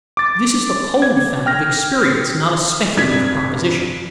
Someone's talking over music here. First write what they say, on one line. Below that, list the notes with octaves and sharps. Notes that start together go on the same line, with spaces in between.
This is the cold fact of experience, not a speculative proposition.
D6 A6
G#6
G5 F6 A#6
F1 G2 D4 G#6 B6